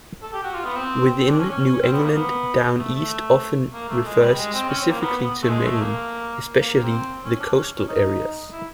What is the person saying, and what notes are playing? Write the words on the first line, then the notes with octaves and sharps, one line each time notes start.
Within New England, "Down East" often refers specifically to Maine, especially the coastal areas.
A4
G4
F#4
F4
B3
C4
C4
D4
C#4
C#4
C#4
C4
B3
A#3
B3
A3
A3
A#3
A3
G#3
G3
G#3
C4
C#4
C4
A#3
B3
B3
A3
G#3
A3
A#3
A#3
A#3
C4
C#4
D4
C#4
C#4
D#4
E4